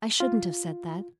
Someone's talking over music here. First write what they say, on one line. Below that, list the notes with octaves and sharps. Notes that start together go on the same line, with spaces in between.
I shouldn't have said that.
F4